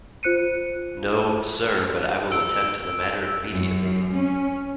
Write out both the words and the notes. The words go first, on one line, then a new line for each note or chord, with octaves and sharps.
No, sir, but I will attend to the matter immediately.
F4 C5 F#6 C#7 D#7
E6 D7
F#2
C#4